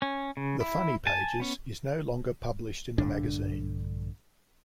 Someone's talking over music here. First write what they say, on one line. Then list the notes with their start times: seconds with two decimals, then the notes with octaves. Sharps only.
"The Funny Pages" is no longer published in the magazine.
0.02 C#4
0.37 C#3
0.61 E4
1.07 G#5 A5
1.40 B3 C#4
2.98 A#1 G2 D3 D4